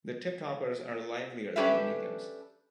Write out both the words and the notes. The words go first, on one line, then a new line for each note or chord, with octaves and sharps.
The tip-toppers are livelier than the mediums.
C#4 D4 G4 A4 B4 E5